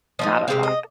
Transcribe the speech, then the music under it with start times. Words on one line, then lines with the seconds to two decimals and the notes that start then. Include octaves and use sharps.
not a lot.
0.19 F3 A#3 D#4 D#5
0.48 C3 F3 G#3 C4 F5
0.63 D#5